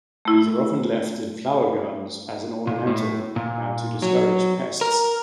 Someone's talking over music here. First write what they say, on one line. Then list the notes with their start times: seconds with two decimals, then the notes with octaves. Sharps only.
These are often left in flower gardens as an ornamental and to discourage pests.
0.25 A3 E4
2.67 A#2
2.87 A2
3.36 A#2
4.02 F#3
4.81 A#4